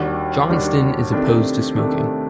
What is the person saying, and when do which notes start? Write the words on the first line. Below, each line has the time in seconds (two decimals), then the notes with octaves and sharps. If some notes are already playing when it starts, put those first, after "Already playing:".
Johnston is opposed to smoking.
Already playing: D#2 D#3 G3 D4 F#4
0.49 D#2 D#3 G3 D4 F#4
1.12 C3 D#3 A3 D4
1.76 C3 D#3 A3 D4